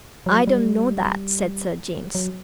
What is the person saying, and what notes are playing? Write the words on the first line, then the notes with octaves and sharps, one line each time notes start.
"I don't know that," said Sir James.
F#3
G3
F#3